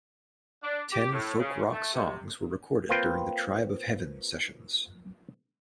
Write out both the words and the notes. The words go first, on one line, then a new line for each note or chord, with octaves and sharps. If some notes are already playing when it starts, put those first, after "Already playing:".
Ten folk rock songs were recorded during the Tribe of Heaven sessions.
D4
G4
A2
C#3
A3
C3
A#3 C4 F4 B4 G5